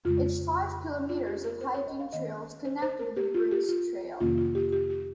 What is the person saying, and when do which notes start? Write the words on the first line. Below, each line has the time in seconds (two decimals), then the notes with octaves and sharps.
Its five kilometers of hiking trails connect with the Bruce Trail.
0.05 F2 C#3 G#3 F4
1.09 F4
1.26 G4
1.44 A#4
1.61 C5
1.74 C#5
1.87 D#5
2.00 F5
2.13 D#3 A#3 C#4 D#5
2.65 C5
2.82 C5
2.99 A#4
3.17 G4
3.34 F4
3.51 G4
3.69 F4
4.20 F2 C3 D#3 A#3 C#4 F4
4.38 F4
4.55 G4
4.73 G4
4.90 G4